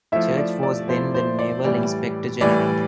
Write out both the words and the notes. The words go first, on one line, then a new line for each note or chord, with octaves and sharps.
Church was then the Naval Inspector General.
F3 A3 E4 E5
D5
D5
F3 A3 E4 C5
C5
D5
A2 E3 G3 D5
A2 E3 G3 D5